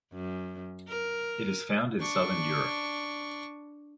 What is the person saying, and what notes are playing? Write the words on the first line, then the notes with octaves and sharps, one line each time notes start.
It is found in southern Europe.
F#2
A#4
D4 C#6